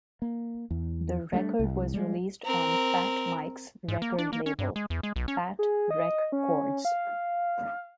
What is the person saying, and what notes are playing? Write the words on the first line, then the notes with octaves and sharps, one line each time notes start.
The record was released on Fat Mike's record label, Fat Wreck Chords.
A#3
E2
G3 A3 C#4 D4
C2
G3 G#3
C4 A#4
G#2
A#3
D4
A#3
C#4
G2
G#3
E2
G#3
B1
C#4
G#4
D#5
C#4
F5